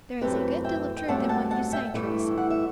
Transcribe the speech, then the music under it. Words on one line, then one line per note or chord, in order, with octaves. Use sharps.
"There is a good deal of truth in what you say, Teresa."
F#2 E3 A3 C4 G4 B4
E5 G5
G5
G2 F#3 A3 C4 F#5 A5
G5
F#5 A5
F#5 A5
E5 G5
G2 E3 A3 E4
F#5
E5